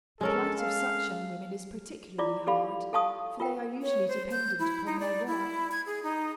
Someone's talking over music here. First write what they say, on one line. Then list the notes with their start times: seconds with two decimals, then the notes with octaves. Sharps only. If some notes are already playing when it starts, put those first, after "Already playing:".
The plight of such young women is particularly hard, for they are usually dependent upon their work.
0.21 G#3 C#4 A4 A#4
0.60 F5
2.18 E4 F4 D5 D6
2.47 G4 A4 D5 F5 B5
2.93 A4 F5 A5 C#6 D#6
3.40 F4 A#4 G5
3.82 C#5
4.08 C5
4.31 G6
4.59 E4
4.86 D#4
4.99 D5
5.26 E4
5.71 G#6
5.86 G#4
6.03 D#4